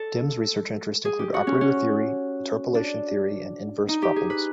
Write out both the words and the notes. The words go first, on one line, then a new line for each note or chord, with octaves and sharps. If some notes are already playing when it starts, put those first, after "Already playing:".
Dym's research interests include operator theory, interpolation theory, and inverse problems.
Already playing: A4
G#4
G4
F#4
C#4
C#4
D4
D#4
G4
G#4
B4